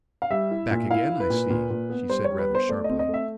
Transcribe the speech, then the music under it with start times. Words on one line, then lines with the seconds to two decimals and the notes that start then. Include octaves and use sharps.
"Back again, I see," she said rather sharply.
0.22 F5
0.31 G3 E5
0.51 E4
0.71 A#2
0.91 E4 F5
1.10 E4
1.20 B4
1.30 A#2
1.50 A#2
1.70 A#2
1.90 B3
2.10 G3 C5
2.24 C#5
2.30 G3
2.39 B4
2.49 B3
2.55 C5
2.69 A3 D5
2.84 D#5
2.89 C4
2.99 D#5
3.08 A3
3.14 E5